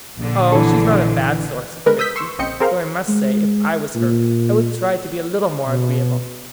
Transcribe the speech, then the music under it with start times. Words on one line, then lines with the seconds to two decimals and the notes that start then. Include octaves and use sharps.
"Oh! she's not a bad sort," said Kirsty; "though I must say, if I was her, I would try to be a little more agreeable."
0.17 A#1 D3
0.52 E3 A4
1.86 D3 G#3 B3 A#4 B4
1.99 D#6 E6 G6 B6
2.16 C6 C#6 E6
2.39 A#1 C#3 C4 D#5 G6 C#7
2.60 C4 G#4 A#4 C5 F5
3.08 G#3
3.95 A#2
5.65 B2